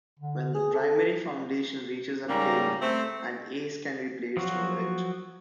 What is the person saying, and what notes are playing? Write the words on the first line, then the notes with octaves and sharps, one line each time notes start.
When the primary foundation reaches a king, an ace can be placed over it.
D3
G#4
A4
G#2 C#3 G3 A#3 A#4 A#5
A3 C4
F3 F#3 F#4